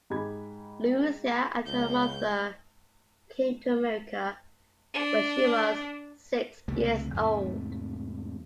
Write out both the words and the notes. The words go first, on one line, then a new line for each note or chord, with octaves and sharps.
Louisa and her mother came to America when she was six years old.
G#2 G4 G#4 B5 G#6
C#2 G6
D4
C#2 C3 G3 A3
E2 G#2 C3 A3